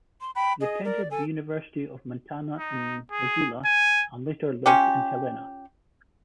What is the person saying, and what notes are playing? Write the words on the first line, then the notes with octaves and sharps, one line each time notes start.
He attended the University of Montana in Missoula and later lived in Helena.
C6
G5 B5
G#4 D#5
A#4 D5
A4 G#5
D#4
G#4
G#5
C#4 F4 G4